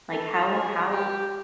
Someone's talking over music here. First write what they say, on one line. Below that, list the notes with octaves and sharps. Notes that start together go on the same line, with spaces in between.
Like, how how
A4
G#4
G4